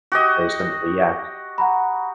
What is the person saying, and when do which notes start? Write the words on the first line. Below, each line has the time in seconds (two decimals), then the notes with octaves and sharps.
very simply yeah.
0.12 F#4 G4 D#5
1.58 F#5 A#5 B5